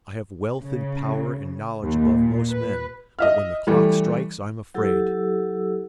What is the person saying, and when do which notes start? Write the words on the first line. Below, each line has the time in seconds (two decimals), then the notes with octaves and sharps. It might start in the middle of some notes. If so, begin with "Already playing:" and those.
I have wealth and power and knowledge above most men, but when the clock strikes I am afraid.
0.60 C#3
1.83 D#2
2.14 A#2
2.51 B4
3.19 D#5 E5 F6
3.67 E3 G3 A3
4.74 F#3 E4 G4 A4 E6